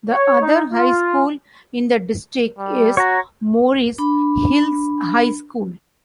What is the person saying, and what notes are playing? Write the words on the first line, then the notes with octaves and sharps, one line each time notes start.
The other high school in the district is Morris Hills High School.
C#5
D#4
F4
G3
F#4 C#5 A#5
D4 B5